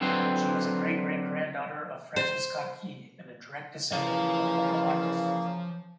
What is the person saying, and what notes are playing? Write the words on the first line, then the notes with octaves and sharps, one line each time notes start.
She was a great-great-granddaughter of Francis Scott Key and a direct descendant of Pocahontas.
D3 F#3 C4 B4 C5
C5
C#3 E3 F3 A#3 F5